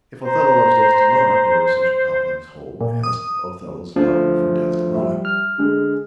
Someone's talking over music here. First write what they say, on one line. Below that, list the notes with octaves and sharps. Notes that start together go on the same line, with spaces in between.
If Othello loves Desdemona, there is such a complex whole as 'Othello's love for Desdemona'.
C5 A#5
A#2
D#6
D2 F3
G3 E5
F6
D3 G#3